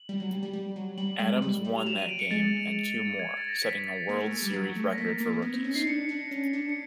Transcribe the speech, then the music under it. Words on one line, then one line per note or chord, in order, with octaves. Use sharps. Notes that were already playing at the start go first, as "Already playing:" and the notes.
Adams won that game and two more, setting a World Series record for rookies.
Already playing: F#7
G3
F#3
G3
G3
G3
F#3
G3 F#7
G#3
G3
G3
F7
F#3 E7
D#7
D7
C#7
G#3 A6
G#6
G#6
A6
G#6
A#6
A6
B6
A6
A#3
A3
G#3
G3
F#3
A3
A#6
A#3 B6
A#3
B3
C4
C#4
D#4 C7
D4 C#7
D4
C#4
D4
C#7